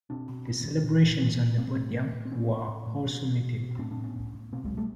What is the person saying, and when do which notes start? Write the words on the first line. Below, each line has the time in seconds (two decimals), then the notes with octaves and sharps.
The celebrations on the podium were also muted.
0.10 B2 C4 D4
0.29 B2
0.47 B2
0.66 B2
0.84 A#2
1.02 A#2
1.21 A#2 B3 C#4
1.39 A#2
1.58 A2 A#3 C4
1.76 A2
1.95 A2
2.13 A2
2.25 C4
2.31 A2 B3 C#4
2.50 A2
2.68 A2
2.87 A2
3.05 B2
3.24 B2
3.42 B2
3.60 B2
3.79 A2 C4 D4
3.91 C4 D4
3.97 A2
4.04 B3 C#4
4.16 A2
4.35 A2
4.52 B2 A#3 C4
4.65 F#3 G#3
4.71 B2
4.77 G3 A3